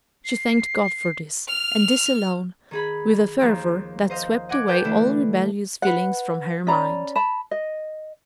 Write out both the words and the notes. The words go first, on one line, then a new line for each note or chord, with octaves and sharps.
She thanked God for this, and this alone, with a fervour that swept away all rebellious feelings from her mind.
C7
F6 F7
D#3 G#4 B5
D#2 D#3 F3
C5 D#5 F5
D#5 F#5 G#5 D6
A4 B4 G5 A5
D3 E3 A3 E4 A4
B4 F#5
C#4 D5 A#5 B5
A5 B5
D#5